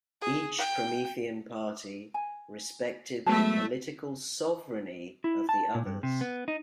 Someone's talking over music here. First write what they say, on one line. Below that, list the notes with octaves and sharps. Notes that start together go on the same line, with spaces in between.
Each Promethean party respected the political sovereigny of the others.
G#4
G5
G#5
F#3 G#3 A3 B3 E5 A5 B5
E4
A5
A#2
G2
C3
B3
D#4